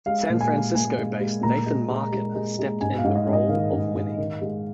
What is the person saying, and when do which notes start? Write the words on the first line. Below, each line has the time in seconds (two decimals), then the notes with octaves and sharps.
San Francisco-based Nathan Marken stepped in the role of Winnie.
0.06 G#3 F5
0.30 A#2
0.41 G#5
0.52 G#3
0.75 A#2 G#5
0.97 G#3
1.20 G#3
1.43 A#2 A#5
1.66 G#3
1.89 G#3
2.12 G#3
2.35 G#3
2.59 G#3
2.81 G#2 G#5
2.98 F5
3.04 G#2
3.16 D#5
3.27 G#2
3.33 D#5
3.49 D#3 F5
3.73 G#2
3.95 G#2
4.18 D#3
4.41 G#3